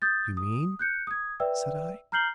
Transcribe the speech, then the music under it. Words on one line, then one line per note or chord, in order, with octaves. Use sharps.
"You mean?" said I.
D#6 G6 A6
D#6
F#6 G6 C#7
D#6 G#6
B4 D5 E5 G5 E6
A#5 F6 G6 C7 F#7 G7